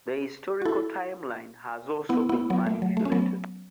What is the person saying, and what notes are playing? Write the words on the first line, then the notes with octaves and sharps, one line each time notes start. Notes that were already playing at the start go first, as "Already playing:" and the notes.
The historical timeline has also been manipulated.
F#4
E4 A4
B3 E4
B3 E4
F#3 B3
A3
F#3
A3
C#4
F#3 B3